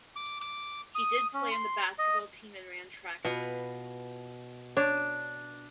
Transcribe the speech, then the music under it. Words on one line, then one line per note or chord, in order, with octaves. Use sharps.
He did play on the basketball team and ran track in high school.
D6
D6
D#6
C#4
C6
D#5
B2 F4 B4
D4 C#5